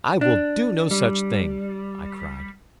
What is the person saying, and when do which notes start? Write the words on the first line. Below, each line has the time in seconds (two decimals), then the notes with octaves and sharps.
"I will do no such thing," I cried.
0.21 D4
0.91 G3